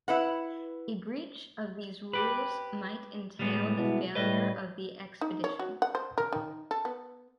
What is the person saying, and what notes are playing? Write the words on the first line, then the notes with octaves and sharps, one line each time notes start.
A breach of these rules might entail the failure of the expedition.
E4 B4 F#5
G4 B4
A2 G3 G#3 B3
B2 E4
A2 G3 B4 D#5
D#4
C#5
F#4
F#5
C5
A#4
D#3
A4
B3